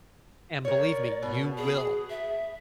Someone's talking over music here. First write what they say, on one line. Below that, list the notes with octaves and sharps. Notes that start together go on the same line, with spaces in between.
And believe me, you will.
A#4 C#5 D5
B2
G#4
E5